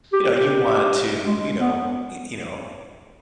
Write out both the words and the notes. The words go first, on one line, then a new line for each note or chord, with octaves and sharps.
you know, you want to, you know y you know,
G4
G4
G#3
B3